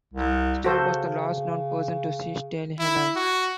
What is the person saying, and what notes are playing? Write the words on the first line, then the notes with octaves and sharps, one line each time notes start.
Starr was the last known person to see Staley alive.
C2
C#3 F#4 A4 C5
E4
F#4